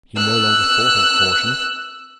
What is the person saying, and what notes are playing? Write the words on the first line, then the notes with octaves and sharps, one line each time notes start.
He no longer thought of caution.
E6 F#6